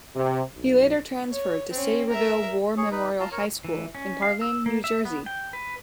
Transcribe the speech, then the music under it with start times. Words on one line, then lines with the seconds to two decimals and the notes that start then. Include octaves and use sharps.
He later transferred to Sayreville War Memorial High School in Parlin, New Jersey.
0.16 C3
0.55 B1
1.31 C#5
1.72 C4 C#4
2.10 A#4 E5
2.77 G#4 C#5
2.91 D#4 B4
3.20 F4 A5 A#5 C6
3.32 A#4 C#5
3.65 E3
3.95 C#4
4.22 F5
4.41 E6
4.66 A#3
4.84 E5
5.05 B3
5.26 G5
5.53 B4